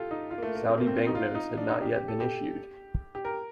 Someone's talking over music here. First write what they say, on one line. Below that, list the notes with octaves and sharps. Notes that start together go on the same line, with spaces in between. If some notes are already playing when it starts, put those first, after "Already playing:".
Saudi bank notes had not yet been issued.
Already playing: F4 G4 A4
D#4
F4
A#3
A3
A#3
C4
A#3
C4
C4
D#4
F4
D#4
D4
D#4
G4
G4
A4
G4
G4
A#4